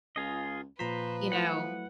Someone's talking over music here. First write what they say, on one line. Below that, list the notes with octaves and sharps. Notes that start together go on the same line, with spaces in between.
you know,
C#2 F4 G#4 D#5
A#2 F3 B4 C5 A#5 B6
F#3 A3 E4 F#5